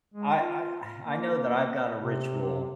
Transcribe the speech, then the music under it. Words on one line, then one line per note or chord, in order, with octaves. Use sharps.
I I I know that I've got a ritual,
G#3
F4
A#3
C3